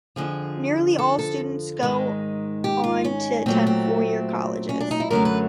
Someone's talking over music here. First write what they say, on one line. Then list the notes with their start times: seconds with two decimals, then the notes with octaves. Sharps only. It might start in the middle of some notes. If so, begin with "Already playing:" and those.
Nearly all students go on to attend four-year colleges.
0.16 F2 D3 F3 G#4
0.99 A4
1.19 A4
1.81 G#2 D#3 G#3
2.64 G4
2.84 F4
3.05 C#4
3.46 A#2 F#3 A3 C4
3.67 C4
4.69 C#4
4.81 D4
4.91 D#4
5.00 E4
5.10 F#2 D3 F#3 A3 A#4
5.25 B4